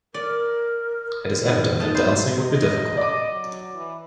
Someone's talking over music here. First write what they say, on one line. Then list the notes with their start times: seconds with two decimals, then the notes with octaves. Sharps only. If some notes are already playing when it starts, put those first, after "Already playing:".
It is evident that dancing would be difficult.
0.14 A#4 D5
1.39 A#2 D#3
1.80 A#3 D#4 A5
1.95 F#3 B3 C5
2.42 D#5
2.97 D5 D6
3.31 F#3
3.75 E3